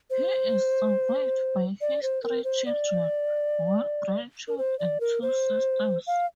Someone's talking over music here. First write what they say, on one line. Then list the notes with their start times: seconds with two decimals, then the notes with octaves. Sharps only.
He is survived by his three children, one grandchild, and two sisters.
0.10 C5
1.81 D5
2.03 C5
2.23 A#4
2.44 C5
2.66 D5
4.48 A#4
4.58 C5
4.79 D5
5.00 A#4
5.22 C5
6.07 F5